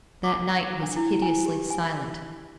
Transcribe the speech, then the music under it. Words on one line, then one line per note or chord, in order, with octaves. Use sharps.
That night was hideously silent.
D6
D4
E4
G#5
G4
G#5